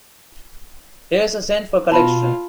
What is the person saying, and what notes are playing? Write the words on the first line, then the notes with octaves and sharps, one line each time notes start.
Here’s a cent for collection.
B2 F4 A5 B5